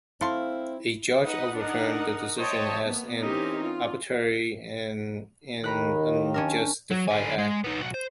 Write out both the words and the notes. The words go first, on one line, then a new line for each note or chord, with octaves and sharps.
A judge overturned the decision as an "arbitrary and an unjustified act".
A3 C4 E4 F5 C6
D#4 B4 D#5 F#5
D4 D#4 A#4 D#5 F#5
C5 C#5 D#5 E5 G5 A5
A#3 B3
E3 C4 C#4 D#4 G4 A#4
F4
D#2 D#3 A#5 B5 F#6
C#4 D4 A#4
F#3
D3 G#5
G#3
B3 D#4
B1 F#4
C5